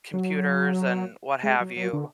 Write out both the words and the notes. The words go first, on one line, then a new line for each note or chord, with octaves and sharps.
computers and what have you,
F#3
G#3
F#3
F#3
D3